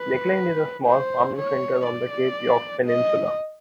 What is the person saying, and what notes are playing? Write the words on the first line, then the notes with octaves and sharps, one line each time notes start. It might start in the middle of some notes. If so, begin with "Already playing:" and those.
Lakeland is a small farming centre on the Cape York Peninsula.
Already playing: B4
C5
C#5
D5
D#5